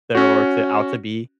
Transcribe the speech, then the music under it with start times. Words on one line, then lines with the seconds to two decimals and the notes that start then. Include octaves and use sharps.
they were to out to be
0.15 C#4 F#4